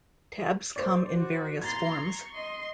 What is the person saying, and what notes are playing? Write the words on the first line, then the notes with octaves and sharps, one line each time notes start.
Tabs come in various forms.
C5 D5
F#4
A#5 C6 G#6 A6
C#6
D#5 C6